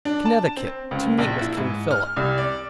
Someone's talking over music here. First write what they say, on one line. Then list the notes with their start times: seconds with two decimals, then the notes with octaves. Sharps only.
Connecticut, to meet with King Philip.
0.05 D4
0.25 A5
0.57 C4
0.91 C#2
1.18 A#1
1.41 E4
1.57 G#2
1.91 F6
2.16 C2
2.38 D5